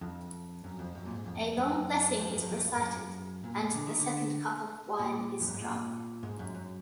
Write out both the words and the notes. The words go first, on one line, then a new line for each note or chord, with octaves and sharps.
A long blessing is recited, and the second cup of wine is drunk.
F2
F#2
F2
F#2
A#2
G#2
F2
F#2
F2
F#2
F2
F#2
F2
F#2
F2
G#2
F#2
A#2
D3
D#3
D3
A#2
F2
F#2
G#2
A#2
G#2
F#2
F#2